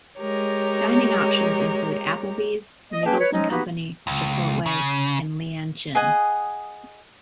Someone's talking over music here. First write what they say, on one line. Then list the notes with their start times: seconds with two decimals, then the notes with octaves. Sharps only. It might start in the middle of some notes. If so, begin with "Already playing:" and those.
Dining options include Applebee's, Noodles and Company, Chipotle, and Leeann Chin.
0.18 G#3 G4 A#4 C#5
2.91 D#5
3.04 A#3 C#4 G#4 B4 G5 A5
3.18 B4 C#5
3.32 F3 F#3 G#3 C#4 D#4
3.50 A#3 B3 D#4 F#4 G4 B4
4.07 C#2
4.66 C#3
5.95 G#4 D#5 F#5 G#5